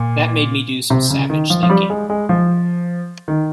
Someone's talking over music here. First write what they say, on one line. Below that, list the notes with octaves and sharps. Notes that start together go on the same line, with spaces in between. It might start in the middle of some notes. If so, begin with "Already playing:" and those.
That made me do some savage thinking.
Already playing: A#2
C3
C#3
D#3
F3
F3
G3
G#3
G#3
F3
D#3